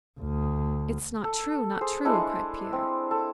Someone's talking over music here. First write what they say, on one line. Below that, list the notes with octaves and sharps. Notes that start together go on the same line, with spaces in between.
"It's not true, not true!" cried Pierre.
D2
A4
G#4 C5
G#3 D4 E4 A4
C4
A4